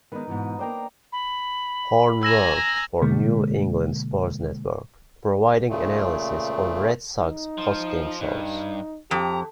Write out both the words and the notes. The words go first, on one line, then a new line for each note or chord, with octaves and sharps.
Horn worked for New England Sports Network, providing analysis on Red Sox post-game shows.
D#3 G#3 B3 D#4 B4
G#2 B2 E3
A#3 D4 C5 G5 A#5
B5
G#5 A#5 E6 A#6 E7
B2 D3 G#3 A#3
A#2 C#3 A3
D#4
F3
G2 D#4
F2 G4 A#5